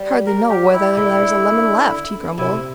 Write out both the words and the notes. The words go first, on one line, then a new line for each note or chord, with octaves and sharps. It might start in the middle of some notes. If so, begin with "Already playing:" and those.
"I hardly know whether there's a lemon left," he grumbled.
Already playing: G3
A#4
G4
E4
D3 E4
C3 E4